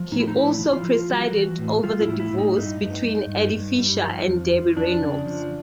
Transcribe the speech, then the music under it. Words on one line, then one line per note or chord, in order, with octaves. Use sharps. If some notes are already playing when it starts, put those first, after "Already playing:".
He also presided over the divorce between Eddie Fisher and Debbie Reynolds.
Already playing: F3
A2 D#4
E4
D#4
F3 E4
F3
F4
F3
G3 F#4
E3
A2
G3 F4
E4
A2
E4
A2
D#4
G2 D#4
G2
G2
G2
G2
G3
F3
F2
F3
F2 D4
C#3
F3